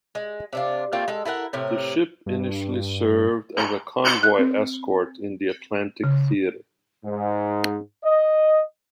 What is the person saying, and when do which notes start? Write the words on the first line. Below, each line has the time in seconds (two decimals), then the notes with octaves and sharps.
The ship initially served as a convoy escort in the Atlantic theatre.
0.15 G#3
0.53 C3 D4 F4
0.92 A3 A#3 C4 F4
1.08 G#3 A4
1.25 E4 A4 A#4 F#5
1.53 A2 C3 A#4
2.26 G2
4.23 F#6
4.39 C4
6.04 C#3
7.04 G#2
8.04 D#5